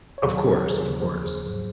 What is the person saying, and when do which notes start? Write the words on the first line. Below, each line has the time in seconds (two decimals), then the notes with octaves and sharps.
Of course, of course.
0.18 C#5
0.22 D#2 D#3 F#3 C5
0.38 C#5
0.70 G#4
0.85 D#2 C#3 F3
1.00 C5
1.16 G#4
1.47 G#2 F#3